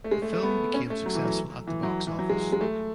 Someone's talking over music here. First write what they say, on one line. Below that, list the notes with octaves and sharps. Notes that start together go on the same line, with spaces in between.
The film became successful at the box office.
A3
G#3
A3
A3
B3
C#4
A3
F#3
E3
F#3
E3
F#3
E3
F#3
G#3
G#3
A3